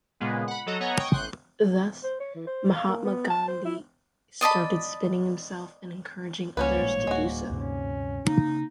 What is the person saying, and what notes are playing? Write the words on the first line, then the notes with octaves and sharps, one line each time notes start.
Thus Mahatma Gandhi started spinning himself and encouraging others to do so.
A#2 C#3 G#3 B3
F#5 B5
F#3 A4 D#5 A#5
B3 C#5 D#5 F#5 G#5 A#5
G5 C#6 D#6
A1 C6 F#6 G6
C5
C#5
E3
C5
F5
A#3
B3
A5
C5
E4
D5 D#5 A5 B5
C#2 G#2 G3 A#3 C#4 F#4 B4 C#5
A1 A#2 G#3
D1 G#3 F#4
D2 G2 C3 C#4
C#3 A#3 D#4